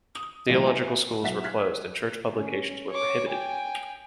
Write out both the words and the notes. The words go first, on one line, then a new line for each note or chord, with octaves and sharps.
Theological schools were closed, and church publications were prohibited.
D#6
B1 A#2 E3 A3 D5 D#5
B4 E5 G#5
B1 E5 F#5 B6
F6 F#6 G#6 B6
C#4
C#5 D6
G5 G#5